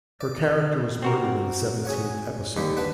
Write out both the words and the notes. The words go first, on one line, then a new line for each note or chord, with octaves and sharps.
Her character was murdered in the seventeenth episode.
D5
C4 F#4 A#4
G#4 C#5 F#5
D#2 G3 C#6
D4 B4 F#5